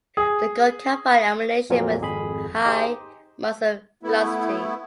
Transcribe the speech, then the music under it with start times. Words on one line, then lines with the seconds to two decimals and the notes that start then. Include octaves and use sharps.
The gun can fire ammunition with high muzzle velocity.
0.17 G#4
1.70 F2 A#2 F3 F#3 A#3
2.00 G#1 F2 G#4 B5
2.65 D#4 G4 G#4 C5
4.03 A3 B3 E4